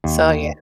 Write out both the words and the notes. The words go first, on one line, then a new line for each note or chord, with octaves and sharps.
so yeah.
D#2